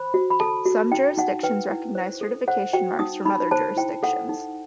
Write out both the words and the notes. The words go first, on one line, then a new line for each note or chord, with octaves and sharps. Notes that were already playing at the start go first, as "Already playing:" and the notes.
Some jurisdictions recognise certification marks from other jurisdictions.
Already playing: C5 B5
F#4
B5
A4 A5
F#4
D#4 G5
D#4 F#5
B4 G5
E4
C5
A4
C5 F#5
F#4 G5
D#4 D#6
D#4 B5
C5 A5
E4 G5
A4 F#5
D#4